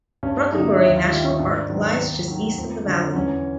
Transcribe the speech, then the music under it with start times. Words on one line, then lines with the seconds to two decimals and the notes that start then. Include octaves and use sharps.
Rohkunborri National Park lies just east of the valley.
0.23 G2 C#4
0.38 D4
0.52 F#3 D#4
0.57 D3
0.67 E4
0.82 D#2 E4
0.96 F4
1.10 D#3 E4
1.14 G3
1.25 D#4
1.39 G#2 D4
1.70 D#3 F#3
1.99 D#2
2.28 D#3 F#3
2.58 F2
2.87 D3 F#3
3.16 E2 C#4